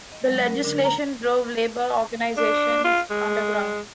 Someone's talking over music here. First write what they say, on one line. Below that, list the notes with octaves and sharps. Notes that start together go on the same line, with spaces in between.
The legislation drove labour organisations underground.
D#5
F#3 G#3
C#4 A#4
D3 D4 A#4
A#5
D4
F4
G#3